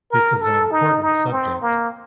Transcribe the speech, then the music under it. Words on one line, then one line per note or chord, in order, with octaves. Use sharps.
This is an important subject.
A#4
A4
D#4
D#4
C4
A#3